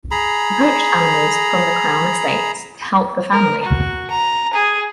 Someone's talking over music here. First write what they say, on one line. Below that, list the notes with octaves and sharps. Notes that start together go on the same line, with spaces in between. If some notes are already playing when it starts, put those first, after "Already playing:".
He poached animals from the crown estates to help the family.
G#4 A#5 B5
A#4
F#4
A#5
G#4